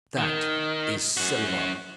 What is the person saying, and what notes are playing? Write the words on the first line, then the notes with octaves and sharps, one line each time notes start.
That is silver!
D#3
F#2 F#4